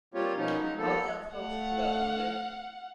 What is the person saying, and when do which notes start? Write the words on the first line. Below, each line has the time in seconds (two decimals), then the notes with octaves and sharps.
How the young folk shoot up, don't they?
0.14 G3 A#3 C4 F4 G4 C#5
0.37 B2 F3 A#3 B3 C#4 D#4
0.60 F#3 G#3 D#4
0.78 F3 A#3 B3 A4
1.33 A3 F5 F#5